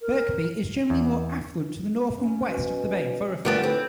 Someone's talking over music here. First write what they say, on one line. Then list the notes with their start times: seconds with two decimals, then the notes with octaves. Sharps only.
Birkby is generally more affluent to the north and west of the main thoroughfare.
0.01 A#4
0.90 E2
2.18 C#4
2.50 B2
3.45 A#2 D3 G3 A3 B3 D4 G4
3.63 A2 C4 B4